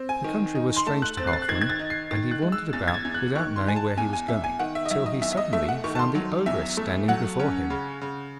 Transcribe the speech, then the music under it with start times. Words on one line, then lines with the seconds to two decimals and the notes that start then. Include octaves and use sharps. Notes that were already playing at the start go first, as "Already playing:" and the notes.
The country was strange to Halfman, and he wandered about without knowing where he was going, till he suddenly found the ogress standing before him.
Already playing: C4
0.09 G#5
0.24 D#3
0.55 D#4
0.77 C6
0.87 A3 A5
1.02 F#6
1.17 C4 A6
1.27 C7
1.33 A6
1.42 F#6
1.49 D#3 G#6
1.61 G#6
1.70 A6
1.79 D#4
1.90 C7
2.11 D#3 A6
2.31 F#6
2.42 G#3
2.52 E6
2.73 E2 A6
2.88 G#6
2.94 A6
3.05 E2
3.14 F#6
3.35 D#3 C#6
3.56 C6
3.67 G#3 G#5
3.76 A5
3.97 E2 G#5
4.13 G#5
4.28 E2 E5
4.44 G#5
4.59 D#3 F#5
4.75 E5
4.85 D#5
4.90 F#3 E5
5.06 D#5
5.22 E2 E5
5.33 E5
5.37 D#5
5.53 A3 E5
5.68 F#5
5.84 D#3 C#6
5.95 A5
5.99 C6
6.15 F#3
6.46 E2 E5
6.77 A3
7.08 F#3 F#5
7.40 C#4
7.70 C#3
8.02 C#3